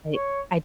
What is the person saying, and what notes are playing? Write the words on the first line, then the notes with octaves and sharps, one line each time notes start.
I I
C#5